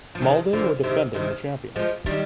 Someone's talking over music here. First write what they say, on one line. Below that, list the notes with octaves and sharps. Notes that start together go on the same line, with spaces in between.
Molde were the defending champions.
F3
C3 D#3
D3 F3
C3 D#3
C3 D#3
F3 G#3
D#3 G3